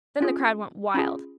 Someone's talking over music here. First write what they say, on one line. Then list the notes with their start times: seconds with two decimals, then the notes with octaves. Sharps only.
Then the crowd went wild.
0.21 C#4 F4 G#4
0.94 C#4 F4 G#4 B5